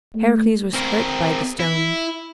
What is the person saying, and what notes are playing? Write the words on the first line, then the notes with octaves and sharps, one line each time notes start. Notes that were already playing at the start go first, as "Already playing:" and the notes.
Heracles was hurt by the stones.
A3
C4 A#4
E4